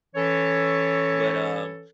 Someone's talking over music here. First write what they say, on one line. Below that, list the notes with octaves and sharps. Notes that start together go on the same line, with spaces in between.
But, um,
E3 C#4 A4 C#5